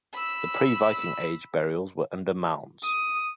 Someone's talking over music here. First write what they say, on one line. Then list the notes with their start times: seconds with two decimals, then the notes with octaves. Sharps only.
The pre-Viking Age burials were under mounds.
0.14 B5 E6
2.83 D#6